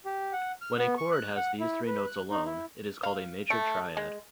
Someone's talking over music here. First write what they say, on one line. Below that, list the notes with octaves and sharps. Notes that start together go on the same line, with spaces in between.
When a chord has these three notes alone, it is called a major triad.
G4
F#5
F6
B3
C#6
F#6
F#5
E4
B4
F#6
D#4
E4
F5
A3
G#3